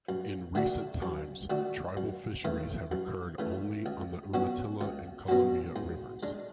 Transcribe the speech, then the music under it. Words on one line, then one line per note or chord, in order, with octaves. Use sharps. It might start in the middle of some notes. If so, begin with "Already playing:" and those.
In recent times, tribal fisheries have occurred only on the Umatilla and Columbia rivers.
F#2
D3 A3 D4 F#4
F#2
D3 A3 D4 F#4
F#2
C#3 E3 A3
F#2
C#3 E3 A3
C#2
B2 F#3 C#4 F#4
C#2
B2 F#3 C#4 F#4
G#2
G#3 D4